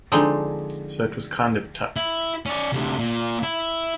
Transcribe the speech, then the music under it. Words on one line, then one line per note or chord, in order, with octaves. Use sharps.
So it was kind of tough.
D3 F3 G#3 C4 D4 D#4
E4
C#4 D5
D2 C3
A#2
E4